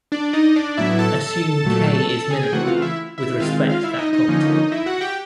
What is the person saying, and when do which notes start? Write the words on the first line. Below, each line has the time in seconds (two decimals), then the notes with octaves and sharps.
Assume "k" is minimal with respect that property.
0.12 D4 D5
0.33 D#4 D#5
0.56 D4 D5
0.77 A2 F#3 B3 E4 E5
0.99 A4 A5
1.21 A4 A5
1.65 A#2 F#3 A3
2.09 A4 A5
2.30 G#4 G#5
2.43 G5
2.53 C#3 E3 A3 C4 F#4 F#5
2.67 F4 F5
2.82 E4 E5
3.18 E4 E5
3.40 D#3 G#3 C4 F4 F5
3.69 F4 F5
3.84 E4 E5
3.99 D#4 D#5
4.13 D#4 D#5
4.28 D3 F3 A#3 C#4
4.72 E4 E5
4.86 F#4 F#5
5.01 G4 G5